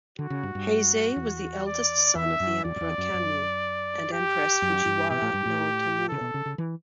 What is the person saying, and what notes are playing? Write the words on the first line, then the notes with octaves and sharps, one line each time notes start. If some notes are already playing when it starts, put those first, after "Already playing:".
Heizei was the eldest son of the Emperor Kanmu and empress Fujiwara no Otomuro.
D3 F#4
C#3
G2
G2
E2
D5
E2 E5
F#2
E2 D5
F#2
E2
F#2
F#2
G4
F#2
G2
B2 G4
A2
G2
A2
C#3 A4
B2
C#3
C#3
E3